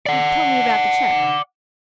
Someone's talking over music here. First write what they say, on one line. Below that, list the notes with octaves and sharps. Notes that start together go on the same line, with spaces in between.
He told me about the cheque.
D5 F#5